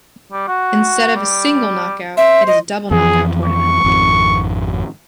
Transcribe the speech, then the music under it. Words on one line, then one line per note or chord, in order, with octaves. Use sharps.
Instead of single knockout, it is a double knockout tournament.
G3
F#4
G3
C5 E5
D#5
F2 E3 F3 G#4
C#6
G#1 F2